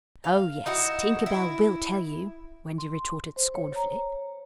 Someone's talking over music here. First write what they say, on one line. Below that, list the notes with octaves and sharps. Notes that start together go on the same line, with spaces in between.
'Oh yes, Tinker Bell will tell you,' Wendy retorted scornfully.
F5
D#4 E4 F#4
E4
C6
C5
C#5
A#5